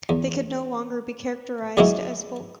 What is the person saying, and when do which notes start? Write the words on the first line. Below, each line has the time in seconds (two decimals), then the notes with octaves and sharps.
They could no longer be characterized as folk.
0.09 E2
1.77 C#2 C#3 F#3 G#3 C#4 E4